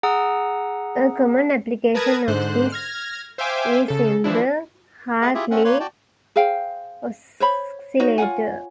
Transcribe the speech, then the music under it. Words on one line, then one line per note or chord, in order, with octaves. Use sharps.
A common application of this is in the Hartley oscillator.
G#4 F#5 A#5 D#6 E6
A#4 B4 A5 D#6 G#6 A#6
G#2 D3 C5 F#6
F6 G#6 A#6
C5 E5 F5 G5 G#5 D6
C#3 A4
E3 F3 D4 E4
A3 G#4 B4 F#5
E4 F4 G4 G#4 E5
A3 C4 C#4 F#5
A#3 B4 C#5 C6
F#4 D5 G5 A5
G#4 C5 F5 G5
C5 C#5 B5
D#4 F#4 C#5
F4 C#5 F#5 G#5